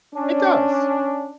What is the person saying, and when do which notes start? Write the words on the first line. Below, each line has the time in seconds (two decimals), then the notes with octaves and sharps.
It does.
0.14 C#4 D4